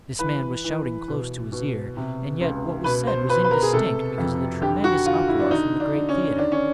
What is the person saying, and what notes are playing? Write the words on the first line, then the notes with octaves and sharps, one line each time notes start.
This man was shouting close to his ear and yet what was said was indistinct because of the tremendous uproar from the great theatre.
E3 B4
E3
B2
B2
C3
C#2
B2 B4
C5
B2 B4
B4
A#4
G#4
C3 A4
F2
D3 G4
F#4
D3 F4
E4
D4
D3 D#4
D4
D3
C#4
D#3 D4
C#4